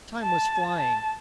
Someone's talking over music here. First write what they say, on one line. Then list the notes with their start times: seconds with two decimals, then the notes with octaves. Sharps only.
Time was flying.
0.23 A5
0.80 A5